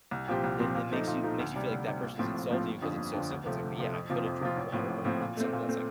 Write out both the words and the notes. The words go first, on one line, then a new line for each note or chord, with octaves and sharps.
it it makes you makes you feel like that person's insulting you 'cause it's so simple. It's like, "Yeah, I could have drinked water," but something else like,
C2
A#2 F3 C4 G4
C2
A#2 F3 C4 G4
A#2
F3 A3 D#4
A#2
F3 A3 D#4
D2
C3 G3
D2
C3 G3
A#1
A2 F3 C4 F4
A#1
A2 F3 C4 F4
G1
F2 D3 F3
G1
F2 D3 F3
D2
C3 F3 A3
D2
C3 F3 A3
F2
C3 F3 C4 F4
F2
C3 F3 C4 F4
A1
A2 F3 C4
A1
A2 F3 C4
A#2
A3 C4
A#2
A3 C4